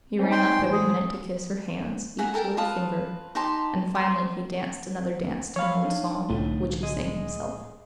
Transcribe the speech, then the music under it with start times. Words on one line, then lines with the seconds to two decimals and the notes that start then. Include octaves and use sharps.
He ran up every minute to kiss her hands, "each little finger," and finally he danced another dance to an old song, which he sang himself.
0.19 C4 C#4 D#4
0.32 G5 C6
0.58 A2 E3 C5
0.72 G#4
2.19 G#4 E5 F#5 A#5
2.34 A4 A#4 G5
2.57 F4 B4 A5 D#6
3.35 D#4 G4 A5 C6
3.95 C6
5.56 F3 C#5 F5 G#5 B5
5.84 D4 D#4
6.30 C2 A2 D3 A3 D#4 F4
6.83 G#4 D#5